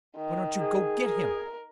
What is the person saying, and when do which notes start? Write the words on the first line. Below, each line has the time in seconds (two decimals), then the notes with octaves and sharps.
Why don't you go get him?
0.16 D#3
0.60 G#4
1.04 A#4